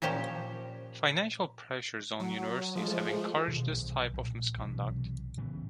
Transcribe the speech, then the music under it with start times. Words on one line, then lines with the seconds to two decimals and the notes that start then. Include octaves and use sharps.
Financial pressures on universities have encouraged this type of misconduct.
0.02 A#2 F3 C#4 G4 C5
2.20 F#3
2.75 F3 G#3 A3
3.48 B2 D#3 F3 G#3
3.73 B1
4.13 A#1
4.58 B1 C3 E3
5.37 A2 C#3 E3 B3